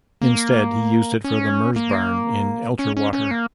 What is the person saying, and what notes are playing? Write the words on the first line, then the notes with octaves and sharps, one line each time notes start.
Instead he used it for the "Merzbarn" in Elterwater.
A#3
C#4
A#3
C#4
C#4
C#4
A#3